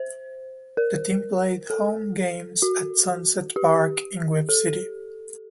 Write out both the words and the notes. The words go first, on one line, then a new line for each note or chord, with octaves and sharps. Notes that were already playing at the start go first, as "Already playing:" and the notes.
The team played home games at Sunset Park in Webb City.
Already playing: C5
A#4
A4
F#4
G4
A4